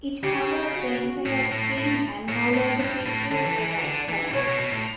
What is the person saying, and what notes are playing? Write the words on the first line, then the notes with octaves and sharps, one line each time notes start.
It covers the entire screen and no longer features the right column.
C#3 G4
F#4
A2
A2
A2
A2
A2
G2
A2
D3 A4
E3
E3
E3
D3
E3
B2 C#5
B2
B2
A2